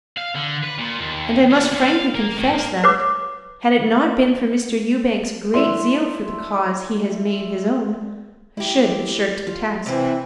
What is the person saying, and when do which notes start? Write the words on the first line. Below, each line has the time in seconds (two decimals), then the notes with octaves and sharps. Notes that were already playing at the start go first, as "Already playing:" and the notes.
And I must frankly confess that, had it not been for Mr. Ewbank's great zeal for the cause he has made his own, I should have shirked the task.
0.18 F5
0.36 D3
0.64 B4
0.79 A#2
1.00 D#2
1.50 A#2
1.72 D2
1.86 F5
2.15 A#3
2.38 A2
2.54 A#3
2.84 B4 C#5 D6
5.54 A3 D4 E4 C6
8.57 E4 G4
9.47 F4
9.86 C3 E3 C4 E4